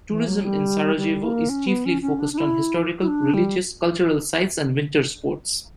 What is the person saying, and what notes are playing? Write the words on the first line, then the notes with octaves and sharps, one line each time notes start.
Tourism in Sarajevo is chiefly focused on historical, religious, cultural sites and winter sports.
E3
F#3
G3
G3
A#3
C#4
B3
C#4
C#4
D4
D4
E4
E4
D4
G3